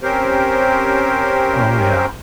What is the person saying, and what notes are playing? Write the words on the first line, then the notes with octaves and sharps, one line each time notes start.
Oh yeah,
C4 C#4 G4 A#4 C5